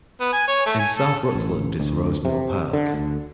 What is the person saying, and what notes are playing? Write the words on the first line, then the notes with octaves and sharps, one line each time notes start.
In south Rutland is Rose Mill Park.
B3
G#5
C#5
A3
G#5
A4
A1
D2
C3
D3
D2